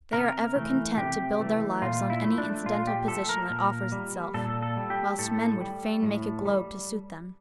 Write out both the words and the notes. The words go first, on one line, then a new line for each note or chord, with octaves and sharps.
They are ever content to build their lives on any incidental position that offers itself; whilst men would fain make a globe to suit them.
C3 A#4
E3 A3
C3 G4
E3 A3
A#2 F4
E4
F3 A3
D4
A#2 F4
G4
F3 A3 A4
A#4
A#2
G3
A#2 A4
A4
G3
G4
A2 A4
G3
A2
G3